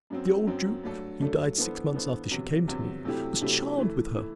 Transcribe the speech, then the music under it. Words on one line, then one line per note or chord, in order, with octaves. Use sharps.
The old Duke--he died six months after she came to me--was charmed with her.
F#2 F#3 C4
F#2 F#3 C4
G2 F#3 A3 D4 A4
G2 F#3 A3 D4 A4
E3 B3 D4 A4 C5
E3 B3 D4 A4 C5
E2 C3 F#3
E2 C3 F#3
C3 F#3 A3 E4 G4
C3 F#3 A3 E4 G4
E3 A3 E4
E3 A3 E4